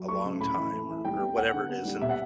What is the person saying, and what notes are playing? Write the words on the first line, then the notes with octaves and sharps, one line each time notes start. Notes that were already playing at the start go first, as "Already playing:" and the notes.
a long time or or whatever it is, and,
Already playing: F#3
A3 C#6
C#3
A2 B5
E3
A3
E3
G3 G5
B3
B3 F#5
D3
B3
G3
B2 E5
F#5